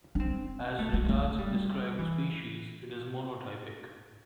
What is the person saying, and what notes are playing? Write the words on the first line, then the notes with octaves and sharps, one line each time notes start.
As regards described species, it is monotypic.
D4
C4
A3
A3
A3
G3
E3